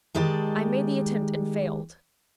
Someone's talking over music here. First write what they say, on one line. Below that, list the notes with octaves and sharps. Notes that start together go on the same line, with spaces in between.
I made the attempt and failed.
D#3 G#3 G4 D5 D#5 A5